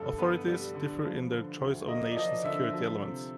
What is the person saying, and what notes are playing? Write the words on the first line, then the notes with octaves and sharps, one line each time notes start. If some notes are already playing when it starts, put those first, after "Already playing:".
Authorities differ in their choice of nation security elements.
Already playing: G2 D3 G3 A4
B3 B4
G3
D3
F3
D3
D2
A#3 D#5
D5
F3 D#5
D3 E5
F3
C3